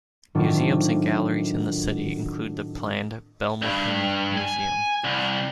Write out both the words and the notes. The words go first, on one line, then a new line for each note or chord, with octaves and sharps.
Museums and galleries in the city include the planned Belmopan Museum.
A2 D#3 F#3 C4 D4 F4
G2
G#5
C2